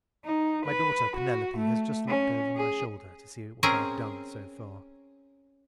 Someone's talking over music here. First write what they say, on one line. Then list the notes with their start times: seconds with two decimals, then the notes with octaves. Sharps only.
My daughter Penelope has just looked over my shoulder to see what I have done so far.
0.25 D#4
0.66 B4
1.17 F#4
1.58 A3
2.08 C#4
2.56 G#4
3.63 C4 C#4 G#4 A#4 A#5